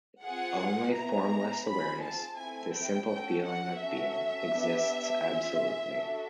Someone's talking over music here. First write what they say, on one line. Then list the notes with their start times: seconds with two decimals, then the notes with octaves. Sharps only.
Only formless awareness, "the simple feeling of being", exists absolutely.
0.23 C4 F4 G#4 F#5
0.95 B3 E4 G#4 A#5
1.66 C4 F4 G#4 B5
2.02 A5
2.37 A3 C4 E4 G#5
2.73 G5
3.08 C#4 F#4 A4 G5
3.44 F#5
3.80 C#4 F#4 A4 E5
4.51 B3 D4 G4
5.23 C#4 F4 G#4
5.94 D4 F#4 A4